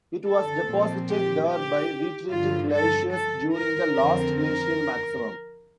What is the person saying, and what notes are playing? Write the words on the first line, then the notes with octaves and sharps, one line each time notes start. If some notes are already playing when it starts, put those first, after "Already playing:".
It was deposited there by retreating glaciers during the Last Glacial Maximum.
A4
A#2 F3 C4
G4
G4
G2 D3 F3 F4
A4
A4
A#4
F2 D3 F3 C4 A#4
A#4